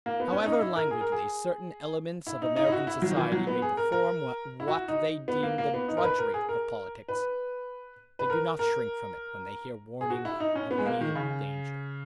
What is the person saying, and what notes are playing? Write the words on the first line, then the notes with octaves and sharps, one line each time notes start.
However languidly certain elements of American society may perform what they deem the drudgery of politics, they do not shrink from it when they hear warning of real danger.
A#3
B3
C#4
D#4
E4
A#4
G#4
A#4
G#4
E4
D#4
D#4
E4
F#4
E4
F#3
D#3
E3
F#3
B3
G#4
A#4
A#4
E4
F#4
D#4
B3
A#3
A#3
B3
D#4
A#4
B4
A#4
G#4
A#4
B4
B4
A#4
A#4
G#4
F#4
E4
D#4
C#4
B3
G#3
A#3
D#3
C#3